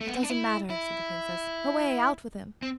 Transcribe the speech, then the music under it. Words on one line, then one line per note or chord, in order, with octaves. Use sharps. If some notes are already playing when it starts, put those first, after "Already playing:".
'It doesn't matter!' said the Princess. 'Away! out with him!'
A3
B3
C4
D4
E4
E4
C4